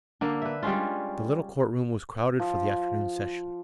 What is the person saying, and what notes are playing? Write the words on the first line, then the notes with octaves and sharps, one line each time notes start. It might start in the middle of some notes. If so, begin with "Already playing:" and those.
The little Court Room was crowded for the afternoon session.
D3 A#3
B4 E5
G3 G#3 C#4 F4
F3